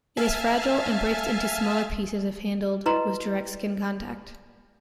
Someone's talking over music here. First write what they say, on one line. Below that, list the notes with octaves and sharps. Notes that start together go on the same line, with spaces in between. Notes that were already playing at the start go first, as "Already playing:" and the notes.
It is fragile and breaks into smaller pieces if handled with direct skin contact.
E5 F5 G#5 A5 F6
E4 F#4 B4 D#5 A#5 C6